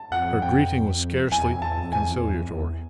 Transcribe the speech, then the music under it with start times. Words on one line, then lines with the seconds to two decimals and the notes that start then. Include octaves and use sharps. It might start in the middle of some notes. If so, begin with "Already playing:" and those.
Her greeting was scarcely conciliatory.
Already playing: A5
0.11 F2 F#5
0.42 G5
1.31 E2 G#5
1.47 F2
1.62 E2 A5
1.77 F2
1.91 E2 G#5
2.07 F2
2.22 E2
2.37 F2
2.51 E2